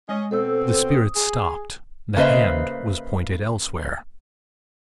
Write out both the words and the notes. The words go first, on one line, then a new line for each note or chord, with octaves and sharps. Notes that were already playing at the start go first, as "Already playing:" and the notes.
The Spirit stopped; the hand was pointed elsewhere.
G#3 C#4 D#5
B2 C4 A4 C5 E6
D#6
G#4
C#3 A#3 B4 C5 D#5 E5